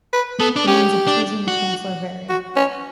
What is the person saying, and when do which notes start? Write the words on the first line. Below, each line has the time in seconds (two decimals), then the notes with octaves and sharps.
The means of choosing the Chancellor vary.
0.13 B4
0.39 B3 A4
0.56 D4
0.67 C#4 G4
1.07 D4
1.48 F#4
2.29 F#4
2.56 C#4